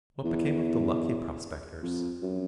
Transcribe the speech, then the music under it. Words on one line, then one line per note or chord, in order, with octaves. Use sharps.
What became of the lucky prospectors?
E2
F2
F#2